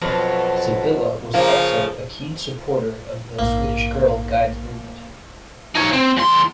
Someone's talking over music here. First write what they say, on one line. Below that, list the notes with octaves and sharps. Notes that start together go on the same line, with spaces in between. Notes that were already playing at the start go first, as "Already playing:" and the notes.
Sibylla was also a keen supporter of the Swedish Girl Guides movement.
F2 B2 F#3
C#3 F3 A#3
A#1 G#2 A#3
D#4 C#5
C4
E2 C6